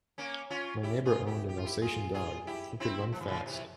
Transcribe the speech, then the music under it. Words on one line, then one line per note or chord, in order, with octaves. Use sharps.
My neighbour owned an Alsatian dog, it could run fast.
A#3 C#4
C#4 F4
E4 G4
F4 G#4
E4 G4
G4
F4
E4 G4
F4 G#4
F4 G#4
E4 G4
C4 E4
F3
E3
C#3 F3
C3 E3